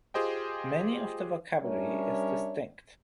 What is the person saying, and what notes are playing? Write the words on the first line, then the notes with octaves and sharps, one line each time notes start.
Many of the vocabulary is distinct.
F4 G4 G#4 C5 D#5 G5
G3 C#4 D4 A#4 C#5 E5